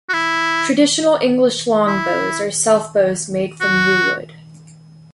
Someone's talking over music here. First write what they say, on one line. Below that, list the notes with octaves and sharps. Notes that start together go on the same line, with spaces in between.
Traditional English longbows are self bows made from yew wood.
F#4
E4
E4
F#4